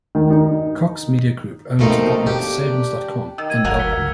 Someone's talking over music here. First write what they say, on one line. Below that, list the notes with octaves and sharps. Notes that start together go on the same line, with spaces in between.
Cox Media Group owns and operates Savings dot com and Valpak.
D#3
D#4
B2 F3 A3 A#3 C4 D#4
D4 G4
D#3 E6
G#6 D#7
G1 D2 F#3 A#3 F#4 A#4
B6 C#7 G7
C#2